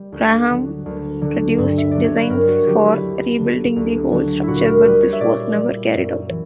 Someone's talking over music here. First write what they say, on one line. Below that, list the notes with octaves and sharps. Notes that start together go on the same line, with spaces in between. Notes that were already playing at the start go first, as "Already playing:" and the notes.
Graham produced designs for rebuilding the whole structure, but this was never carried out.
Already playing: G3
D2
D3 F#3
D2
D3 F#3
G2
E5
D3 F#3 D5
C#5
B4
G2 A#4
F#4
D3 F#3 G4
E4
D2
D3 F#3
D2
D3 F#3
A#2 E4 F#4
A#4
G3 B4
C#5
E5
A#2 D5
G3
F#2
E3